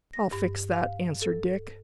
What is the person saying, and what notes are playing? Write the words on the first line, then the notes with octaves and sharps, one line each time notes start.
"I'll fix that," answered Dick.
A#6
G2
F5
A4